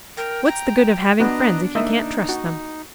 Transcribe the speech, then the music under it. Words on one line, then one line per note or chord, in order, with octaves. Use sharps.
What's the good of having friends if you can't trust them?
A#4 G5
A#5
B3 D4 F#4 B4 D#5 A#5
A#3 D#4 D#5 E5
F#4